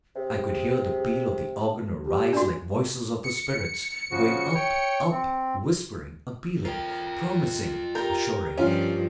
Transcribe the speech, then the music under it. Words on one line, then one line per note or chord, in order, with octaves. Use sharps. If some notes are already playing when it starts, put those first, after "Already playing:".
I could hear the peal of the organ arise like voices of the spirits, going up, up, whispering, appealing, promising, assuring.
C3 G#4
G4
G3 D4 F#4
C#7
C#3 F3 F#4
C#5 G5
C4
F4 A#4 G5
G4 A#4 A#5 G6
G2 F3 C#4 F4